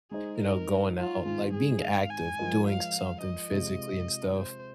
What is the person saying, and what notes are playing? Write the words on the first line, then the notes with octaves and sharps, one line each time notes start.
you know, going out, like, being active, doing something physically and stuff,
G#3 D#4 G#4 C5 D#5
A#4
F4
G#2 D#3 G#3 C4 F4
G#4
F5
G#5
F3 G#3 F4 A#4 D#5
F5
D#5
C3 G#3 F4 G#4
C5